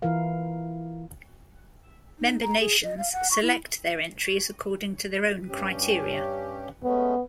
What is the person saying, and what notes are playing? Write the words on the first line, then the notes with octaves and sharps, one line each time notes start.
Member nations select their entries according to their own criteria.
E3 E4 F4 A#4 F5
D#4
A#5
G#4
D#5
F5
F#5
C#6
E4
G2 C#4 G4
G#3 A3 B3 C#4